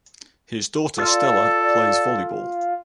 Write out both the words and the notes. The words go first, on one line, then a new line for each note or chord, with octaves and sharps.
His daughter, Stela, plays volleyball.
F4 A4 D5